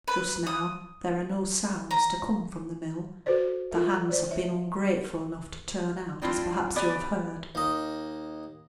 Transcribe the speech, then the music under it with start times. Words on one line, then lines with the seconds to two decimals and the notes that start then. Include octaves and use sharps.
Just now, there are no sounds to come from the mill; the hands have been ungrateful enough to turn out, as perhaps you have heard.
0.08 B4
0.47 D#6
1.91 A#5
3.26 F#4 A4 B4 C5 D5
3.71 F4 A4 A#4 E5
4.09 E3 C5 D5
4.29 C#5 E5
6.22 G3 C4 D4 E4 F4
6.76 B3 G4 C#5 D5 G#5
7.55 D#2 D#5